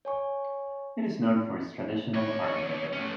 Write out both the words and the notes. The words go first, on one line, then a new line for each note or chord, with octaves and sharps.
It is known for its traditional architecture.
C#5 G#5 C#6
D#2 C#5
A3 C#4